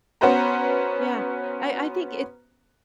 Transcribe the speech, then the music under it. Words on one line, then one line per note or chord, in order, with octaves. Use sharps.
yeah, I I think it's
B3 C#4 F#4 B4 C5 A#5